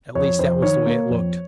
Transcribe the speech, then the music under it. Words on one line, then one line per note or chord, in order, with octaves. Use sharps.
At least that was the way it looked.
F2 C#5
F2 C5
D#3 C#5
A#3
F2